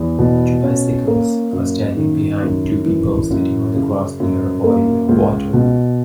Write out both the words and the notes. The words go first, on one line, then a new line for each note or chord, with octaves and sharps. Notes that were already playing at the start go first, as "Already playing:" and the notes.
Two bicycles are standing behind two people sitting on the grass near a body of water.
Already playing: E2
B2
C#4
A#3
F#2
D#3
F#2
E3
F#2
C#3
F#2
A#3
C#2
B2